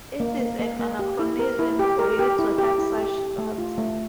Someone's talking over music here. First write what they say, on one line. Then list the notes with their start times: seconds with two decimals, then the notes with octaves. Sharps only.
It is an anachronism for you to have such thoughts.
0.20 A#3
0.39 A#3
0.59 A#3
0.80 A#3
0.99 G4
1.19 E4
1.39 A#4
1.59 E4
1.79 G4
1.99 A#4
2.19 G4
2.39 E4
2.58 G4
2.78 E4
2.98 G4
3.18 G4
3.38 A3
3.58 F4
3.78 A3